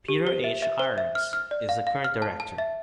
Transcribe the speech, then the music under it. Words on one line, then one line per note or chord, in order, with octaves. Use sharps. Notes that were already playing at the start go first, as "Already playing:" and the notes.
Peter H. Irons is the current director.
G4
C5
E5
E5
C5
E5
F6
F6
D5
F5
F5
F6
A5
A5
E5